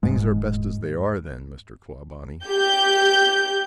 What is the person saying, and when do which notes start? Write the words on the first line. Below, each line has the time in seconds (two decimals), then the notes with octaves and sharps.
"Things are best as they are, then, Mr. Clawbonny."
0.03 D#1 G#2 G#3
2.47 G4 G6